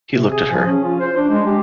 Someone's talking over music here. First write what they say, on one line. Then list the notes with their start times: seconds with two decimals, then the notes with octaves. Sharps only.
He looked at her.
0.15 C3
0.30 G#4
0.51 F3
0.66 C#4
0.83 F4
1.00 C5
1.17 D4
1.30 G#3
1.46 G4